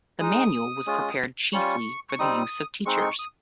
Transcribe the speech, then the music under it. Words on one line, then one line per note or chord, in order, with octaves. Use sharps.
The manual was prepared chiefly for the use of teachers.
G#3 D#4 D#6
G#3 C#4 F4
G3 C#4 F4 C#6
C#6
G3 C4 D#4 D#6
G#3 C4 D#4 C#6
C6
C#6
D#6